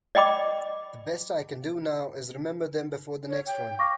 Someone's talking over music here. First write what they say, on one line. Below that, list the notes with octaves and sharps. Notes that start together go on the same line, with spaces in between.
The best I can do now is remember them before the next one.
D5 D#5 G5 B5 D6
C#5
G5
F5 C#6 D6 A#6